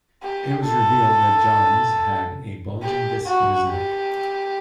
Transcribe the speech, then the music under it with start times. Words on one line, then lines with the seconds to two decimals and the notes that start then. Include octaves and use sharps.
It was revealed that Johns had a bulging disc in his neck.
0.22 G4
0.66 A4
2.82 G4
3.27 F#4
3.69 G4